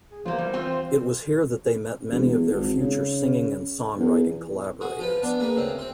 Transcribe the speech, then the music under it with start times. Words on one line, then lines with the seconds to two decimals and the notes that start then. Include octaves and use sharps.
It was here that they met many of their future singing and songwriting collaborators.
0.12 G#4
0.25 E2 A#3 F4 G4 C5
0.38 G3
0.53 C4 F4
2.11 E1
2.27 E2
2.51 G#1
2.79 C#3
3.99 E2
4.81 F#4 G#4
4.99 F3 F4 B4
5.22 B3 D4 D5
5.40 A#3 G#4 B4
5.55 D2 C#3 C4
5.78 C4 C6